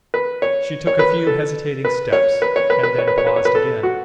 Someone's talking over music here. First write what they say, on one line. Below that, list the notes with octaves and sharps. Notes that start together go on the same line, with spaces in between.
She took a few hesitating steps and then paused again.
B4
C#5
C#5
B4
A4
B4
C#5
B4
C#5
B4
B4
C#5
B4
C#5
B4
C#5
B4
A4
F#4